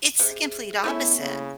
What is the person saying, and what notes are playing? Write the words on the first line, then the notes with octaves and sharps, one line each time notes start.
It's the complete opposite.
C3 G#4 E5
A3 B3 C#4 E4 E5 C#6
C#3 A#3 E4 B5